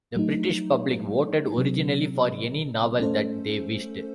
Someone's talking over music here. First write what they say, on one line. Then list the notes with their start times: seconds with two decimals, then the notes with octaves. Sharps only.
The British public voted originally for any novel that they wished.
0.16 F#3 A3 D#4
1.58 C3 F#3 C4
3.00 A3 C#4 A4 C5